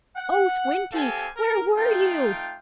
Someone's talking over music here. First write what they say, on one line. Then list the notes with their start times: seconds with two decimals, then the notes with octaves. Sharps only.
"Oh, Squinty, where were you?"
0.16 F#5
0.92 C4 G4 A4 F5 G#5
1.36 A#4
1.77 A3 D#4 F4 G5